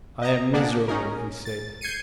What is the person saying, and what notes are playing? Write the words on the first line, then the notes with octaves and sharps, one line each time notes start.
"I am miserable," he said.
D#5 A#5
A#3 D4 G#4 D5 F#5
C#4 D#4 G#4 A#4
A6
G6 G#6 C7 C#7 D#7